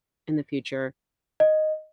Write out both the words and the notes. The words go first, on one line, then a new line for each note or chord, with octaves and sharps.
in the future,
D#5